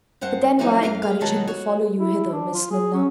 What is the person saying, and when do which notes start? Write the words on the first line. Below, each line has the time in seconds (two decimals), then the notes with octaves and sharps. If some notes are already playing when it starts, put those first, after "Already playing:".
"But then why encourage him to follow you hither, Miss Milner?"
0.21 G2 C5 F5 F#5
0.59 E3 F#3 G3 C4 C#4 D#4
0.83 F#2 A#4 F5
1.02 G#4 F5
1.20 B2 D#3 F#3 G#3 D#4 A5
1.48 F#4 C#5
1.99 E4
2.32 D4
2.54 F4
2.71 G#4
2.94 C#4